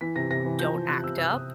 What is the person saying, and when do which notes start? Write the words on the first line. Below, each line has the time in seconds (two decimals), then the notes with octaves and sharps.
"Don't act up,
0.01 E3 B6
0.16 C3 A#6
0.30 C3 A#6
0.45 E3
0.59 F3 G6
0.74 F3
0.88 C3 F#6
1.03 C3 E6
1.18 C3 E6
1.33 C3 D#6